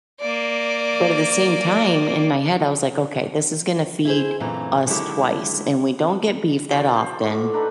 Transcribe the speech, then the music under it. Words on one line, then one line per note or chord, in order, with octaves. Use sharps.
But at the same time, in my head, I was like, "Okay, this is gonna feed us twice, and we don't get beef that often,
A#3 D5
E4 G#4 C5
F#2 A#2 E3 A3 C4 A#5
D3 D#3 F#3 G#3 E4 G4
E3 F#3 C5 D5
C5
A2
D4 D#4 A4 B4